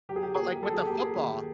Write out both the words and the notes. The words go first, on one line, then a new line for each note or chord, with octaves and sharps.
But like with the football
F#3 G4
G#4
G4
A#3 G#4
F#3 A4
G#4
A#3 G4
G#4
D#2